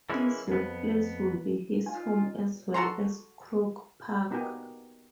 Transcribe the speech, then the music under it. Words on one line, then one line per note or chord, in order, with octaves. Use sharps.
His workplace would be his home as well as Croke Park.
E3 G#3 A#3 C#4 E4
F2 B3
D#4 F4 G#5
F#4 A4 A#5 C6
A#3 B3 D#4 F#4 G4 G#5